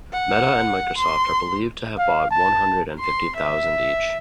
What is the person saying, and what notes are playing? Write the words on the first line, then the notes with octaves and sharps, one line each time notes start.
Meta and Microsoft are believed to have bought one hundred and fifty thousand each.
F#5
C6
F5
A5
C6
E5